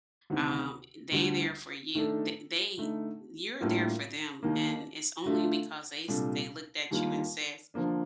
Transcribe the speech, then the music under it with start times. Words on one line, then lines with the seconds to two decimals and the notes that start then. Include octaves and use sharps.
Um, they there for you, the they you're there for them, and it's only because they s they looked at you and says,
0.30 D2 C3 D#3
1.12 D2 D3 G3
1.95 D#3 A3 D4 A4
2.78 D3 A3 D#4
3.60 A2 G3 A#3 D4 F4
4.43 D#2 D#3 A#3
5.25 D3 A3 D4 F4 A4
6.08 C2 A#2 G3 D4 A4
6.91 D#2 D#3 G3 A#3 F4
7.74 D3 F3 A#3 D4